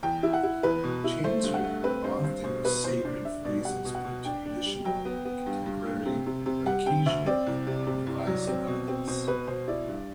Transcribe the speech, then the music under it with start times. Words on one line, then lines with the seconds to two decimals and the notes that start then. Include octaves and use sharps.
Chants are often sacred phrases put to traditional, contemporary or occasionally improvised melodies.
0.03 E2 G5
0.23 E4
0.33 F#5
0.43 E4
0.63 E2 B4
0.84 B2
1.04 E4
1.24 A3 C5
1.44 G2
1.54 F#5
1.64 A3
1.84 C4 B4
2.04 G2 C5
2.24 G2 C5
2.44 B2 C5
2.65 B2 B4
2.84 C2 C5
3.05 D4 C5
3.25 D4 E5
3.45 B2 D5
3.65 G3 F#5
3.85 B2
3.95 F#5
4.05 B2
4.25 D4 G5
4.45 D4
4.66 G3
4.85 F#3 G5
5.05 B3
5.25 B3
5.46 G2
5.66 G2
5.86 G2
6.06 C3
6.26 C3
6.46 C3
6.66 G3 F#5
6.86 C3 G5
7.06 D2 E5
7.26 C4 D5
7.47 C2
7.67 C3
7.87 C3
8.07 C2
8.27 F#3
8.47 C4
8.67 B2
8.88 C4
9.07 B2 C5
9.27 B2 B4
9.47 B2 C5
9.68 E4 D5
9.88 G2